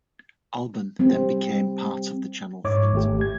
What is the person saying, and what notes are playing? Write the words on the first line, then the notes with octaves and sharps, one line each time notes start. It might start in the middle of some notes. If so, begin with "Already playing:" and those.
"Albion" then became part of the Channel Fleet.
G3 C4
G#2 C#5 D6
G#1 A3 G4
G#6